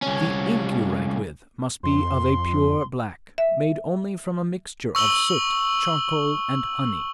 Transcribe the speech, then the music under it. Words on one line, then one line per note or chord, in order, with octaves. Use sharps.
'The ink you write with must be of a pure black, made only from a mixture of soot, charcoal, and honey.
C2 C#4
F2 C6
E5
C#6 E6 F#7 G7